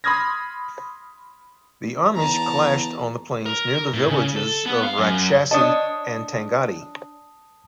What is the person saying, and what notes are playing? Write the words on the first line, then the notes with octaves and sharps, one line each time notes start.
The armies clashed on the plains near the villages of Rakshasi and Tangadi.
B5 C6 D#6 F6 G#6 A#6
E2 A5 A#5
A#4
A2
C#3
A4
B3
F5
F#2
D4 C#5 D#5 A5 D#6